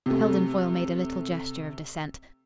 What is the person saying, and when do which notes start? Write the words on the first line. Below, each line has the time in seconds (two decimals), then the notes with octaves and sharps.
Heldon Foyle made a little gesture of dissent.
0.06 C3 A3